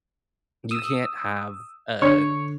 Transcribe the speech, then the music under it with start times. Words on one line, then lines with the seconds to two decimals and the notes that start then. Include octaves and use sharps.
You can't have a
0.71 D#6 E6
2.02 D3 C#5